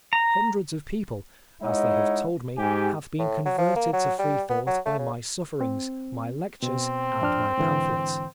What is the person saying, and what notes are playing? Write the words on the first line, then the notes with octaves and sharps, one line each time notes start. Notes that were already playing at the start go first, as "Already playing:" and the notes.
Hundreds of people, as they have told me, have been converted to Freethought by my sufferings, my lectures, and my pamphlets.
A#5
G#3 D#4 E4 C#5 D#5 F#5
G#2 G4 G#5
A2
F#3
F3
A#3
F#3
G3
B3
F#3
A3
C#3
C4
B2 C4
F2 D4 F6
G#2 D3 E3